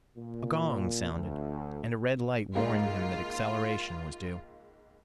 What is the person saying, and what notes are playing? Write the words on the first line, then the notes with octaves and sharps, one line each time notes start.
A gong sounded, and a red light warned him that acceleration was due.
A#2
D2
C#2 G#2 A#3 F4